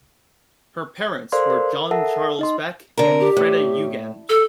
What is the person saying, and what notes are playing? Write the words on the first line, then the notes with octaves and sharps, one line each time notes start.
Her parents were John Charles Beck and Freda Yugend.
A4 A#4 C5 D5 F5 C6
A#4
A4 A#4 E5 F#5 A5
D#4 D#5 C6
D3 A#4
G4
A2
A4